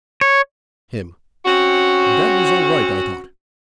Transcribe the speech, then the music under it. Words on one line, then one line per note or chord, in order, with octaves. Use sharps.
HIM: That was all right, I thought.
C#5
C4 C#4 F#4